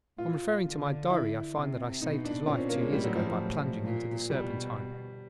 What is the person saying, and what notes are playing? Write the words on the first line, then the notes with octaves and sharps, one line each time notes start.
On referring to my diary I find that I saved his life two years ago by plunging into the Serpentine.
A#2 F4
D3
E4
C3
B2 D#4
D4
A#2 C#4
C4
A#3
G#3
A2 G3
F#3
F3
F3
A2
A#2
B2 G3